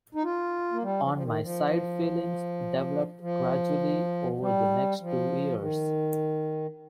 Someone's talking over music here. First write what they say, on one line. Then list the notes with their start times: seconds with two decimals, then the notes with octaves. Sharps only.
On my side feelings developed gradually over the next two years.
0.15 D#4
0.24 F4
0.72 A#3
0.83 G3
1.03 F3
1.13 F3
1.23 D#3
1.42 F3
3.21 F3
4.40 G3
5.01 F3
5.59 D#3